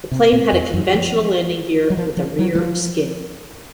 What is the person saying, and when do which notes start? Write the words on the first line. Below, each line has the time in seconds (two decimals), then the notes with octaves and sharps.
The plane had a conventional landing gear, with a rear skid.
0.11 C3
0.32 A#2
0.52 F2
0.74 F#2
0.94 F3
1.90 F#3
1.97 F3
2.17 F3
2.39 F#3
2.55 F#3
2.58 F3